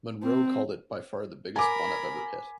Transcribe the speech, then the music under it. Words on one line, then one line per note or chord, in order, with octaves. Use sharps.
Monroe called it by far the biggest one I've ever hit.
C4
A#4 G#5 B5 D6